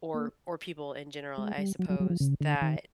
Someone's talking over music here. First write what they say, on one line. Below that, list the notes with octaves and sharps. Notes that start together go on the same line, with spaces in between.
or or people in general, I suppose, that
A#3
G#3
G3
F#3
F#3
F#3
F3
C#3
D3
D#3